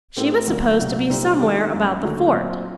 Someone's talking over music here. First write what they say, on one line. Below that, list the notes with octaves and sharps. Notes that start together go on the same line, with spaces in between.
She was supposed to be somewhere about the fort.
A2 A3 C4 G4 A#4
D2 D3 F#3 A#3
C2 A#2 F#3
C2 A#2 G3 C4 D#4
D#3 A3 D4 G4
F#2 F#3 A#3
D#2 D3 F#3 A3
A#2 F#3 C4